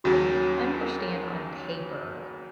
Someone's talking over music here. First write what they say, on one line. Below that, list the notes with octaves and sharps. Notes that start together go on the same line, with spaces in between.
I could understand on paper
D#2 C#3 F#3 C#4 F#4
A#4